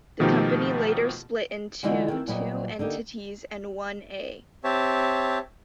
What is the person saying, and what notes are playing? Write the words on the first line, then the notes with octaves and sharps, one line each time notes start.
The company later split into two entities and one-A.
B2 D#3 F3 A3 D#4 G4
D3 E3 G#3 D#4 F4 F#4
D#3 E3 C4
A#2 F#3 G3 B4 D#5
D3 A#3 D#4 G4
C4 G4 C#5 E5 A5